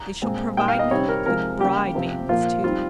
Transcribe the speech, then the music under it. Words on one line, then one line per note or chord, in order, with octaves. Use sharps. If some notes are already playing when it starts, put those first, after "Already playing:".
They shall provide me with bride-maidens too.
Already playing: A#5
A#2 G#3 C4
A#2 G3 A#3 G5
F5
D#5
C3 D#3 G3 C4 C#5
A#4
C3 F3 G#3 A#4
C#3 G3 A#3 G4
C3 F3 C4
A#2 F3 A#3 F4
D#3 G3 C4 F4